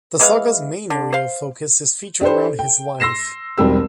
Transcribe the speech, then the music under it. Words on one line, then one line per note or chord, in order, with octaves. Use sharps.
The Saga's main area of focus is featured around his life.
E3 G#3 B3 F5
D3
C5 F5 C6
D4 G4 A4 B4 C5
G5
C6 E6 A#6 C7 E7
E1 B1 G3 C4 G4 E6